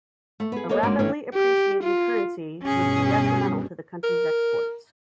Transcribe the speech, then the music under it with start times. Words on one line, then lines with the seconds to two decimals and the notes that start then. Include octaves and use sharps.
A rapidly appreciating currency would be detrimental to the country's exports.
0.40 A3
0.52 B3 G#4
0.69 A#3 A4 C#5 D#5
0.83 G#3 A#3 C#4 D4 F#4 D5
0.99 D#3 E3 A3 C#4 D4
1.34 G4
1.83 F4
2.62 G2 B2 C#4 G#4
4.04 A#4